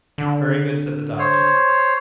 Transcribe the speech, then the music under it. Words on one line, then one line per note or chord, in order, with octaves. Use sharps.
"Very good!" said the doctor.
D3
C5 C#5